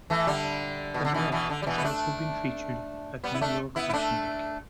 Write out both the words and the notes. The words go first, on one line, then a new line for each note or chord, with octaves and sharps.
Heatherette has also been featured at New York Fashion Week.
E3 A3
D3 G3
B2
D3
B2 E3
B2 E3
D3
G3
B2 E3
B3
A3 D4
G3 B3
E4
A3 D4
B3 E4
E4
A3 D4